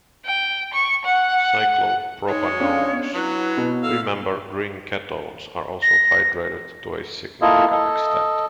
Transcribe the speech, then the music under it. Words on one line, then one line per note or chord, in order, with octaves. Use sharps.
Cyclopropanones- three-membered ring ketones- are also hydrated to a significant extent.
G5
C#6
F#5
G#3 D#4 C#5
C#4 D4 F5
B3
F#3 E4 B4
B2
A4 F5 E6
A#6
A#3 E4 F4 A4 D#5
A4 D#5